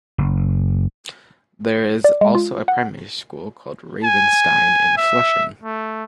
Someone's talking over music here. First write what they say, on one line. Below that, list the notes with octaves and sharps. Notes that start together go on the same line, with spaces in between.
There is also a primary school called 'Ravenstein', in Flushing.
F#1
D5
G#3
F4
F#5
G#5
E5
A3